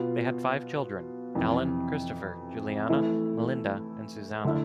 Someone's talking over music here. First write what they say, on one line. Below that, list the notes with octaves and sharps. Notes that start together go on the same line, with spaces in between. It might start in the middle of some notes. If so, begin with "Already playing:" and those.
They had five children: Alan, Christopher, Juliana, Melinda and Susanna.
Already playing: B2 B3 F4
F2 C3 E3
E3 A3 E4
D3 A3 E4